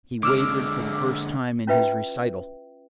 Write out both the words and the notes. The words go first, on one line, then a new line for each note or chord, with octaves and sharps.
He wavered for the first time in his recital.
D3 G#3 D6 E6 F6
C#4 E4 F4 B4 E5 G5